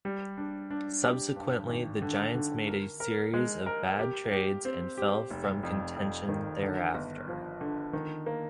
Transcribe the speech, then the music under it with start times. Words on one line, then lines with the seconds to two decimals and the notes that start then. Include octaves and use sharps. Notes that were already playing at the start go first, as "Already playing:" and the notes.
Subsequently, the Giants made a series of bad trades and fell from contention thereafter.
0.05 G3
0.37 D4
0.71 D4
1.03 G4
1.36 G2
1.69 G#1
2.02 D3
2.35 D3
2.67 A#4
3.00 A#4
3.34 G#3
3.66 A#4
3.99 G4
4.32 G4
4.65 C4
4.98 G4
5.31 F1
5.63 F2
5.96 F2
6.29 D#3
6.62 D3
6.95 G1
7.28 F3
7.61 D3
7.93 D#3
8.26 A#3